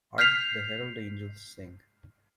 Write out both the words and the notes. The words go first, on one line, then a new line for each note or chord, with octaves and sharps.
Hark the Herald Angels sing.
F6 G6 B6 C7 F7